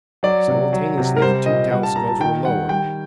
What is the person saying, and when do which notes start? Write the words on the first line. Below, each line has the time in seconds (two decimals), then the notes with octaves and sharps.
Simultaneously the two telescopes were lowered.
0.23 F#3 D5
0.48 C3
0.73 F#3
0.97 C3
1.16 A#4
1.22 G3 C5
1.46 A#2 D#5
1.71 G3 F#5
1.83 A5
1.96 A#2 A#5
2.08 A5
2.20 D#3 G5
2.45 G3 F#5
2.69 G3 G5